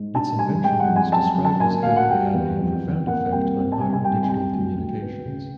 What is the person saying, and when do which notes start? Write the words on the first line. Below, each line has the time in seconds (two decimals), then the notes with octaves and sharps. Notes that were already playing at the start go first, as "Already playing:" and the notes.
Its invention was described as having had "a profound effect on modern digital communications".
Already playing: G#2
0.14 D4 A5
0.39 G2 G#5
0.64 G#3 G5
0.80 F#5
0.87 F2
0.96 G#5
1.12 F#2 A5
1.37 F#2
1.45 A5
1.60 A#3 G#5
1.83 D2 F5
1.96 F#5
2.10 G3 G5
2.34 E2
2.59 F2
2.82 F2
3.07 A#3 F#5
3.32 C2 G5
3.56 C4
3.72 A5
3.80 G2 G#5
3.93 G#5
4.04 C2 G5
4.23 G#5
4.28 C2 G5
4.53 D2
4.77 D2
5.02 B3
5.26 C#3